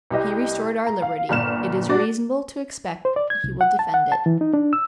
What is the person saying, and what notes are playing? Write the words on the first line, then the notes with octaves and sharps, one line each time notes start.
He restored our liberty; it is reasonable to expect he will defend it.
C2 G4 D#5
A#5
F5
G1 A#2 F6 E7
D4 F#4 D5
C5
D5
G#6
C2
F#5
A5
F#5
A5
E3
D#4
D4
E6